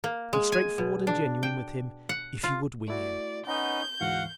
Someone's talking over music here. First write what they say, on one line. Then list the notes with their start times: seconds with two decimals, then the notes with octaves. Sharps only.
Be straightforward and genuine with him if you would win him.
0.04 A#3
0.33 G#3
0.52 G#5
0.78 B2
1.07 D4
1.43 G5
2.09 F#5
2.44 F4
2.88 A3 E4 F#4 D5
3.47 B3 C#4 D#4 F#5 A#5 G6
4.01 D2 G#2 E3 F#4 F5 F#5